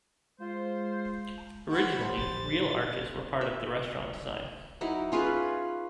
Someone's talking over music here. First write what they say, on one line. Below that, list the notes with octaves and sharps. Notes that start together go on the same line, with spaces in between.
Originally, real arches were part of the restaurant design.
G#3 F4 C5
G4 C5 F#5 B5
A#1 A6
E5
F#3 D#4 E4
C#4 F4 G#4 B4